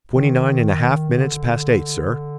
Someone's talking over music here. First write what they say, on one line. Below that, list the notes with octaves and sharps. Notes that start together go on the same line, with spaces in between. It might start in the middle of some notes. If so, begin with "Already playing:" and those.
"Twenty-nine and a half minutes past eight, sir."
D#3
D3